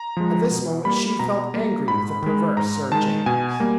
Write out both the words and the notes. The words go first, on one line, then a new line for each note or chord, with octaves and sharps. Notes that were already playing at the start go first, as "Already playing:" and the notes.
At this moment she felt angry with the perverse Sir James.
Already playing: A#5
F3 G#3
B2
G3 A#3 B5
B2 A#5
G3 A#3
G#2 B5
D#3 G#3
G#2 A#5
D#3 G#3 A5
B2 G#5
G3 A#3